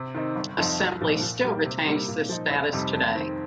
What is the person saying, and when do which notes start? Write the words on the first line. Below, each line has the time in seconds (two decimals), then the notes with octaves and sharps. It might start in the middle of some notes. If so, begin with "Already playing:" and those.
Assembly still retains this status today.
Already playing: C3
0.15 D#3 C4 D#4
0.36 G1
0.58 F2 F3 C4 D#4
0.79 C2
1.01 A#2 F3
1.22 A#2
1.44 G3 A#3 G4
1.65 C3
1.87 G3 A#3
2.08 A#2
2.29 F3 D#4
2.51 F1
2.73 F2 C3 G3 D#4
2.94 F2
3.15 D#3 C4